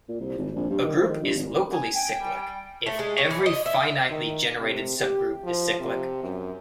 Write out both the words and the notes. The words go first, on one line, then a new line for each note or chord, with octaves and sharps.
A group is locally cyclic if every finitely generated subgroup is cyclic.
A#2
C2
G#1
A#1
G2
D#3
F3
D#3
G2
G#1
G#5
G5 G#5
G3
A3
G#3
C#4
E3
D#5
E5
D#3
C3
G4
F3
C3
F#2